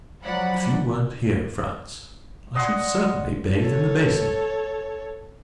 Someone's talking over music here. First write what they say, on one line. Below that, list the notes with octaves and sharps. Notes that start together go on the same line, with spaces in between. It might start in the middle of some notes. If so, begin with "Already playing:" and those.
"If you weren't here, Frantz, I should certainly bathe in the basin."
F3 F#3 D5 F#5 B5
D5 D#5 F#5 C6
A4 C#5